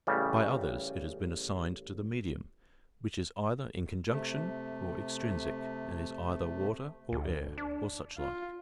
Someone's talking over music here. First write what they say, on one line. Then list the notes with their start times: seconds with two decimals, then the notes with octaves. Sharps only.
By others it has been assigned to the medium, which is either in conjunction or extrinsic and is either water or air, or such like.
0.07 A1 C#3 G3
4.07 C3 A3
7.12 D2
7.58 D4
8.18 F4